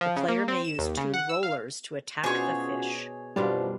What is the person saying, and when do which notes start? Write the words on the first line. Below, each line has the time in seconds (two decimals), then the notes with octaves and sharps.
The player may use two "rollers" to attack the fish.
0.01 F3
0.16 C#3
0.28 A#3
0.48 C4
0.64 E7
0.78 D#2
0.97 C#3
1.14 F#5
1.29 E6
1.43 F5
2.24 B2 C#4 D4 F4 F#4 G#4 C5 C#5
3.36 F#2 B2 E3 F3 G3 D4 F4